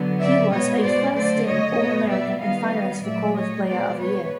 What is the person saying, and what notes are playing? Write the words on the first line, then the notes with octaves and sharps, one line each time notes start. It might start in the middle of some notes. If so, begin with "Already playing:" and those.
He was a first-team All-American and finalist for "College Player of the Year".
Already playing: D3 F#3 B3
D5 E5
B2 G#3 B3 C#5 D#5
C5 D5
D3 F#3 A3 C5 D5
C#5 D#5
B2 F#3 B3
D5 E5
D#3 G3 B3 D#5 F5
A#2 F#3 A3 D5 E5
C#5 D#5
B2 G#3 B3 C5 D5
B4 C#5